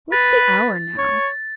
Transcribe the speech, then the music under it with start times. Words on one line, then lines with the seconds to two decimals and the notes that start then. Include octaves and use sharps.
What's the hour now?
0.12 B4 A6
0.98 C#5